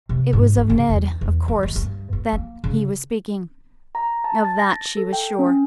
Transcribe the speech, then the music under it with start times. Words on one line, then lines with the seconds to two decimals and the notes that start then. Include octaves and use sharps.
It was of Ned, of course, that he was speaking. Of that she was sure.
0.09 C3
0.33 G#2
0.56 C#4
0.70 C#3
0.89 E2
1.21 E2
1.48 D3
1.63 D#3
1.76 G2
2.13 B3
2.33 A#3
2.64 C#3
3.95 A#5
4.24 A5
4.45 A6
4.59 A#6
4.97 A4
5.13 G5
5.39 C#4